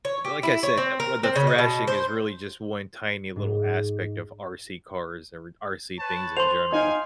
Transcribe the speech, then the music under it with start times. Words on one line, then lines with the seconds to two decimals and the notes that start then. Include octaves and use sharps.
like I said, the with the thrashing is really just one tiny little aspect of RC cars or RC things in general.
0.05 C#5
0.25 G4
0.43 E4
0.63 C#5
0.77 C4
1.00 A#4
1.23 C4
1.36 C#3
1.47 D#5
1.58 B2
1.87 C5
3.36 G#2
5.99 B4 C#5 A5
6.37 C5 C6 F7
6.72 D#4 F5 G5 G#5